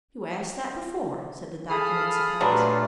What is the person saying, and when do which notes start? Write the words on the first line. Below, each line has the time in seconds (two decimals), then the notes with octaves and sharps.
"You asked that before," said the doctor in surprise.
1.70 G#4 A4 F5 B5 D#6 F6
2.40 A#2 F#3 G3 A3 D4 F4 G4 B4